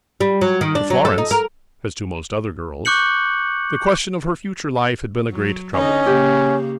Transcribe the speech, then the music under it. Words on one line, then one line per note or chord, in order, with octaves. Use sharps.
To Florence, as to most other girls, the question of her future life had been a great trouble.
G3
F#3
D#3
D4
F#3
A4
D#4
A#4
C#6 D6 F#6 G6 C#7 F#7
F#3
D3 C#4 D#4 D#5
C#3 A#3 G4